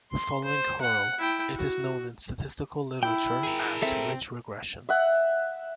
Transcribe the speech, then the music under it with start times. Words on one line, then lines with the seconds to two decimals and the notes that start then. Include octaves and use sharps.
Following Hoerl, it is known in the statistical literature as ridge regression.
0.11 C6
0.45 C5
0.81 F#5
1.18 E4 G5
1.55 F#4
3.03 E4 G5
3.43 G#4 A#4
3.82 C4 A4 E5
4.89 E5 F#5